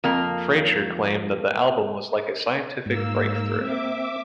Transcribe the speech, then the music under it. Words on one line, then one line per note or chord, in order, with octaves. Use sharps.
Fraiture claimed that the album was "like a scientific breakthrough".
F2 A#3
G#2 A#3 E6
C4 E5 D6